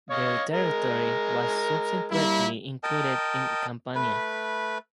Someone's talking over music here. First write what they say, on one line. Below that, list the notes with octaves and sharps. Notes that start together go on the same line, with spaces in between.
Their territory was subsequently included in Campania.
C#5 D#5 F5
G#3 A#4
G3 A#3 E4
A#4 D#5 G5 A5
A3 B4 B5